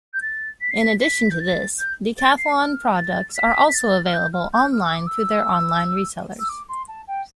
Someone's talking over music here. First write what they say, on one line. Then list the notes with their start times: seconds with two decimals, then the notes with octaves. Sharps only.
In addition to this, Decathlon products are also available online through their online resellers.
0.13 G6
0.21 A6
0.60 B6
0.70 C7
0.81 B6
1.00 B6
1.30 G6
1.39 A6
1.79 G6
2.18 A6
2.37 C7
2.57 F6
2.96 A6
3.35 B6
3.68 B6
3.74 A6
4.05 F6
4.13 G6
4.33 F6
4.53 G6
4.72 F6
4.84 E6
4.95 D6
5.06 E6
6.39 E6
6.49 D6
6.68 C6
6.88 A5
7.07 G5